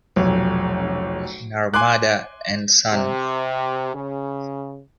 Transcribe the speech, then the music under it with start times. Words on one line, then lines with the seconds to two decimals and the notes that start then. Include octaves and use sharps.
Narmada and Son.
0.16 F1 B1
1.74 G#5 C6 D6 F#6
2.93 C3
3.95 C#3